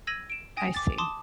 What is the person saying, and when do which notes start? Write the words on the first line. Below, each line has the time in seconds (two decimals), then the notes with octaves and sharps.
I see.
0.07 E6 G#6 A#6 D#7 F#7
0.30 D7 E7
0.57 G5 G#5 D#6 A#6
0.75 D6 A6
0.98 A5 C6 D6 D#6